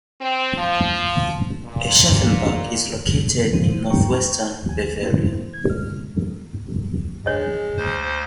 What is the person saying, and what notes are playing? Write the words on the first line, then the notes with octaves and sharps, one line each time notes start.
Aschaffenburg is located in northwestern Bavaria.
C4
F3
A#2
E2 F3 G#3 A#3 C5 D#7
G5 A#5 C#6
A1 D#2 G#5
A#3 E4 C5
G#6
C#2 B2 D3 G#3 F6
G#3 D4 C#5 D#5
D2 C5